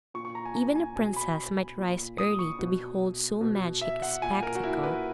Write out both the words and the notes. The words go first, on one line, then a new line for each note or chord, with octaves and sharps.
Even a princess might rise early to behold so magic a spectacle.
A#2 C#6
C#6
A#5
G#5
A#5
G#5
B2 G#5
B5
A#2
D#6
C#6
B2
B2
E5
F#5
A#2 G#5
A#4
F#4
E4
B4